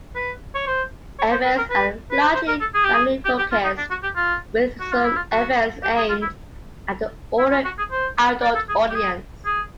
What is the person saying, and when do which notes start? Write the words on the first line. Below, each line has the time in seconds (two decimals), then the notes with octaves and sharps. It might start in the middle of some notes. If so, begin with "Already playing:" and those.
Events are largely family-focussed, with some events aimed at an older adult audience.
0.15 B4
0.55 C#5
0.67 C5
1.19 C#5
1.32 C5
1.45 B4
1.58 A#4
1.70 B4
2.11 B4
2.21 C5
2.34 C5
2.48 A#4
2.61 A4
2.74 G#4
2.84 G4
2.94 G#4
3.25 G4
3.38 G4
3.52 F4
3.64 D#4
3.78 D4
3.90 F#4
4.03 G4
4.16 F4
4.80 F#4
4.92 F4
5.04 E4
5.16 F4
5.32 F#4
5.83 G4
5.97 G#4
6.09 F4
6.22 E4
7.38 E4
7.51 F4
7.65 F#4
7.78 G#4
7.91 C5
8.42 D5
8.55 A4
8.69 G#4
8.89 G4
8.94 G#4
9.45 G#4